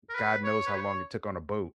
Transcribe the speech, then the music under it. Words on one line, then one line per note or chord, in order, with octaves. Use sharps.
god knows how long it took on a boat.
A#4
B4
C#5
B4
C#5